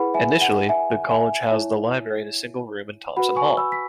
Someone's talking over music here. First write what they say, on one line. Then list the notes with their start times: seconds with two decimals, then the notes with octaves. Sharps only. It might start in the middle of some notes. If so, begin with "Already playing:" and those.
Initially, the College housed the library in a single room in Thompson Hall.
Already playing: E4 G#4 B4 F#5 B5
0.14 E5 G#5
0.41 F#5
0.69 E5 G#5
1.11 E5 G#5
1.51 E4 C#5
3.16 F#4 B4 F#5 B5
3.36 G#5 C#6
3.57 B5 E6
3.72 B6